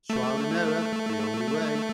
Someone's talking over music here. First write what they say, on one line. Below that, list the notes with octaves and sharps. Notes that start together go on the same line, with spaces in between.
Trial and error. The only way.
A3